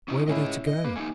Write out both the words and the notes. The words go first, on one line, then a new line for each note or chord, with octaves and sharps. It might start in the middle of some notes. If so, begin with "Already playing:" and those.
Where were they to go?
C#4 D#4 E4
A2 C#4 E4 G#4 C#5 D#5
D#5
A#3 B4
A3 A#3 D#4 G#5